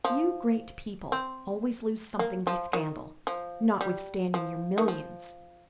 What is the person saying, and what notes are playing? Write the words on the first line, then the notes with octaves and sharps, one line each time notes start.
You great people always lose something by scandal, notwithstanding your millions.
F3
C4
A#3
F3
D#3
F3
G3
F3
D#3
F3